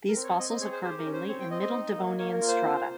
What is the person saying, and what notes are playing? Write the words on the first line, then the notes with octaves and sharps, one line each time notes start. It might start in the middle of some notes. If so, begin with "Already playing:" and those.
These fossils occur mainly in Middle Devonian strata.
A#4
C4
C#5
C4 D#5
D#5
G#4 C#5
C5
G4 C5
A#4
C#4
C5
C4 C#5
G5
C4 D#5
D#5
D#4
A#3
A#3 C#5
A#4
F4
C5
C4